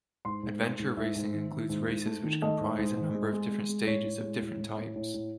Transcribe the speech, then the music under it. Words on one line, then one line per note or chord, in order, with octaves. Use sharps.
Adventure racing includes races which comprise a number of different stages of different types.
G#2 C6
G#2
A3
G#2
G#2 E5
G#2
D#3
D#3
G#2
G#2
A3
D#3
A3 D#5
G#2
G#2
G#2
G#3
G#3
G#3
G#3
A2 C#5
A2
G#3
A2
A2
A2
A2
A2